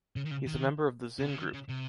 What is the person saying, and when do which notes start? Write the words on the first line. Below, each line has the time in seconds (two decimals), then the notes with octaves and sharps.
He's a member of the Zin group.
0.16 C#3
0.25 D#3
0.31 C#3
0.46 D#3
1.19 C3
1.29 C#3
1.38 D#3
1.53 C#3
1.69 C3